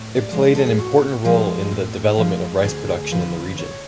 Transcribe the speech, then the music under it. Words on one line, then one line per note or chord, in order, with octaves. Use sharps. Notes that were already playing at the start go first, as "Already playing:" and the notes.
It played an important role in the development of rice production in the region.
Already playing: A2
D5
F3 G#3
A4
G#4
A2 F#4
F3 G#3
A2
F3 G#3
D2 G#4
D3 F3 B4
D2 C#5